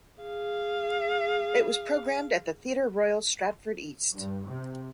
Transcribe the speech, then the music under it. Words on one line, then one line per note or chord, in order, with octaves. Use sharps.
It was programmed at the Theatre Royal Stratford East.
G#4 F5
G2
C3